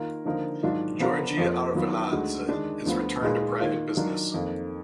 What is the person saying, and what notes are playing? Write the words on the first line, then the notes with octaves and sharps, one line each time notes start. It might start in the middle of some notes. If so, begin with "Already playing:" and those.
Giorgi Arveladze has returned to private business.
Already playing: D#3 A#3 F4 A#4
D3 F3 A#3 D#4 A#4
G#2 D#3 F#3 D4 F4
F3 B3 D4 F4 A#4
F2 F3 A#3 F4
D#3 F#3 B3 F4
D2 D3 G#3 D#4 F#4
D#3 G#3 D4
D2 D3 F3 B3 F4
A#2 G#3 D#4 G#4 B4
D#3 A#3 F4
D#3 F#3 D4 F4 A#4
F2 D#3 A#3